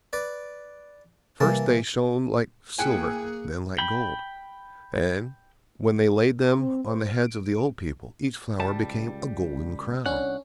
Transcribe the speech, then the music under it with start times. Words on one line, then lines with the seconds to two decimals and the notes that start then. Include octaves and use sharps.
First, they shone like silver, then like gold; and when they laid them on the heads of the old people, each flower became a golden crown.
0.13 B4 D5
1.40 C3 E3 G3 A#3 A5
2.78 A2 A#3 G#4 G5 G#5 F#6 C#7
3.78 G5 B5
6.43 C6
6.59 C4
6.85 C5
7.12 F6
7.24 D7
8.60 C#2 G3 A5
10.06 C2 C#4 D4 F#5